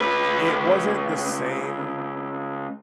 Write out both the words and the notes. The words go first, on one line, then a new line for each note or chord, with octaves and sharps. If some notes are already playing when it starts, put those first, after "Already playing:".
it wasn't the same,
C#2 B4